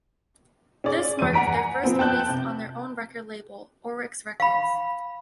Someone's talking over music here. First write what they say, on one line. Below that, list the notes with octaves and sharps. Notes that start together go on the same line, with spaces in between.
This marked their first release on their own record label, Orrexx Records.
C#4 G#4 D5
E2 D#7
F#5 G#5 A#5 B6 D7
F3 B3 C4
G5 A5 F#6 G6
C3
F5 B5